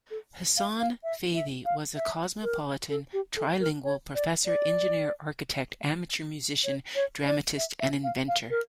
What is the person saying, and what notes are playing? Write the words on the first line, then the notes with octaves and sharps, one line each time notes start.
Hassan Fathy was a cosmopolitan trilingual professor-engineer-architect, amateur musician, dramatist, and inventor.
A4
F5
F5
E5
E5
F5
E5
A#4
A4
G4
A4
A#4
C#5
D5
D5
C#5
C#5
D5
E5
E5
F5
F5
A#4